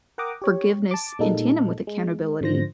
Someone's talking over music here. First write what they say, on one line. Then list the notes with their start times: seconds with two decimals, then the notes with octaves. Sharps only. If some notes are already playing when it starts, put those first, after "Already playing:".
forgiveness in tandem with accountability,
0.18 A#4 F#5 G5 A#5 D6 D#6
0.42 G4 C#5
0.91 A5 D6
1.19 A#2 G3 G#3 A#3 D#4 A4
1.87 G#3
2.41 G#2 D3 F3 C5 A#6